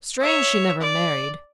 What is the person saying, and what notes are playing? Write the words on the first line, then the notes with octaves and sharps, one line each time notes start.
Strange she never married.
C#5 E5
D5